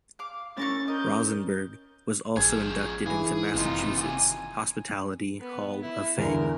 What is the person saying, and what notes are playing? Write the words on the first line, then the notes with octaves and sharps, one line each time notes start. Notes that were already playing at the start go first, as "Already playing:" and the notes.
Rosenberg was also inducted into Massachusetts Hospitality Hall of Fame.
F5 D6
C#4 E4 A#4 C#6 A6
A#4 D#5 G6
A1 F3 G#4 G#6
E3 G#4
F#1 D#2 C3 D#4 F4
G#5
B3
E4
E2 D3 A#4